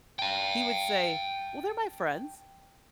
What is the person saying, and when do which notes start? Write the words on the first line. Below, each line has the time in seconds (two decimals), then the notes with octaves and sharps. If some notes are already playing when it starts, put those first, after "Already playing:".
He would say, "Well, they're my friends."
0.19 G5 A5